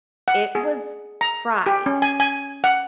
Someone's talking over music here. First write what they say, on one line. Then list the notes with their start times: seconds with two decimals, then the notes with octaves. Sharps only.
it was fried.
0.28 F#5
0.55 G#4
1.21 A#5
1.66 G4
1.86 C#4
2.02 G#5
2.20 G#5
2.64 F#5